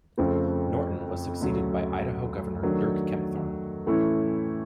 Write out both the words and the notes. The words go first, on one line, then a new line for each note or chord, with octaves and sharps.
Norton was succeeded by Idaho governor Dirk Kempthorne.
F2 C#3 F3 A3 C4
D2 C#3 F#3 A3
D#3 F#3 A3 D4
A2 E3 A3 C#4 E4